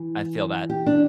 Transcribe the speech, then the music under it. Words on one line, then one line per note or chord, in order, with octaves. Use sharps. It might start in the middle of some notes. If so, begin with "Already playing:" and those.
I feel that.
Already playing: E3
G4
D4